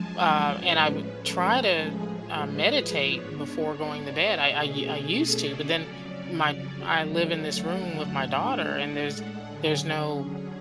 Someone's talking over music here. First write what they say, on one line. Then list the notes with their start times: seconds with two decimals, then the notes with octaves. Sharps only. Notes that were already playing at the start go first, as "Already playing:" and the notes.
Uh, and I wou try to, um, meditate before going to bed. I I u I used to, but, then, my I live in this room with my daughter and there's there's no
Already playing: F#2 F3 G#3 G#5 A5
0.24 D5
0.56 A2 F3 G#3 C#4 B4
1.20 A4
1.84 A2 F3 G#3 G#4
2.47 B4
3.11 G#2 G#3 B3 D4 C#5
3.75 D5
4.39 B2 A3 C#4 G#4
4.71 G#4
5.02 A4
5.35 D5
5.66 F2 C#3 F#3 C#4
6.94 F#2 D3 F#3 A3
7.26 A4
7.57 F#5
8.21 A2 G#3 D4 F#5
8.53 A4
9.48 D3 F#3 C#4 G#4